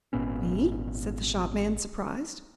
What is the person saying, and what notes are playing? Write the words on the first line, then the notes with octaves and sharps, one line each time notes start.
"Me?" said the shopman, surprised.
G#1 A#2 B3 C#4